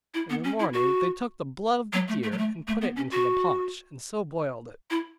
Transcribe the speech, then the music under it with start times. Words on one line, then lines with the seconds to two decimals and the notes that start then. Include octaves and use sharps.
In the morning they took the blood of the deer, and put it into the paunch, and so boiled it.
0.14 E4
0.30 B3
0.44 C#4
0.60 E4
0.73 F#4
1.93 F#3
2.08 A3
2.23 A3
2.32 F#3
2.38 A3
2.67 A3
2.81 B3
2.96 C#4
3.11 F#4
4.90 E4